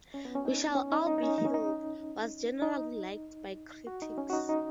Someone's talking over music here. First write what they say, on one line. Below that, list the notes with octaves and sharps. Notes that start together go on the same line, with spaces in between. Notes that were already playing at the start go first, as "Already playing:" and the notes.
"We Shall All Be Healed" was generally liked by critics.
C#4
B3
C#4
D#4
C#4
D#4
D#4
D#4
C#4
D#4
C#4
D#4
D#4
F#4
D#4
C#4
F#4
D#4
D#4